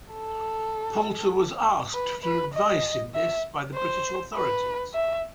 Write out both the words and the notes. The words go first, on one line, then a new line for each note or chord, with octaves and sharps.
Poulter was asked for advice in this by the British authorities.
A4
B4
B4
D#5
E5
C5
B4
E5